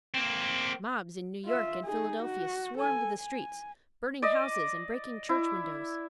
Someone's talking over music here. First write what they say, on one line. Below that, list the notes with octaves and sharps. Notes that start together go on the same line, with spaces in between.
Mobs in New York and Philadelphia swarmed the streets, burning houses and breaking church windows.
A#3 C4
F4 E5
D#4 G#4
F#4
A4 G#5
G#5
D5 D#5
E4